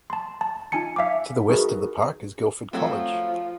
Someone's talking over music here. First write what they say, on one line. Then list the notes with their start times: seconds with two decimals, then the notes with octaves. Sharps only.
To the west of the park is Guildford College.
0.10 A5 C6
0.41 A5
0.72 D#4 F4 G#5 A5 C#7
0.96 E5 F5 G#5 D6
1.49 D#4 F#4 G#4 A#4 B4
2.73 F3 F#3 A3 C4